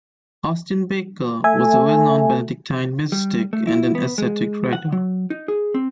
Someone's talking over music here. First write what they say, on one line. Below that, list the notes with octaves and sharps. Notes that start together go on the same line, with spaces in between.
Austin Baker, was a well-known Benedictine mystic and an ascetic writer.
A3 E5 G#5
G3
A3
E4
B3
G#3
F#5
F#3
D#4
G#4
C4